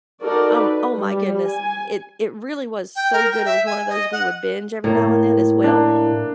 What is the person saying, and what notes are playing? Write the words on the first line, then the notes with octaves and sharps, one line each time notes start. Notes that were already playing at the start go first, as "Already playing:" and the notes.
Um, oh my goodness, it it really was so good. It was one of those we would binge every now and then as well.
D#4 F#4 A4 A#4 D5
B4
G3
G#5
G5
A#4
G5
E5
G#5
D#5
F#5
A2 A#3
A#3 D4